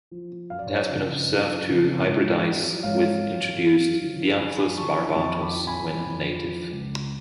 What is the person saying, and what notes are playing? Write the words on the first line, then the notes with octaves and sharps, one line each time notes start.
It has been observed to hybridise with introduced "Dianthus barbatus", when native.
F3
F#2 F5
D5
C#5
B4 D5
C#3 F3
F#2
C#3 F3
G#2
F#3
G#2 C#5 F5
F#3
F#2
D3 F3
F#2 G#5 B5
G#5 B5
D3 F3 A5 C#6
G#5 B5
F2 A5 C#6
B5 D6
F3
G#5 B5
F2
F3
C#2